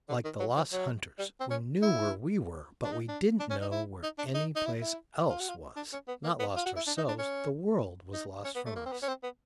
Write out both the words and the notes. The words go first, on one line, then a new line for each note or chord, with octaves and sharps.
Like the lost hunters, "we knew where we were, but we didn't know where any place else was." Not lost ourselves, the world was lost from us.
D3
D#3
F#3
F3
F#3
G3
C4
C#4
E4
D4
D#4
D4
D4
C#4
D#4
E4
D#4
D4
D#4
D#4
E4
E4
F4
F#4
F4
D4
C#4
B3
A#3
B3
F4
F#4
E4
D4
D#4
D4
C#4
D#4
C#4
B3
A3
A#3
C4
B3
C#4
C4
B3